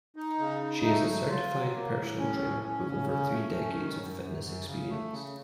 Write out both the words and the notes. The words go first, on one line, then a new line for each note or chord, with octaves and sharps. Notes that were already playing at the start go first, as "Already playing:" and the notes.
She is a certified personal trainer with over three decades of fitness experience.
D#4
C#3
D#4
A3
F#3
F4
F#3
A#3
A2
C#4
A2
C#4
C#3
C#4
A3
C#4
D#3
F#2
F#2
F#2
C#3
A3
C#3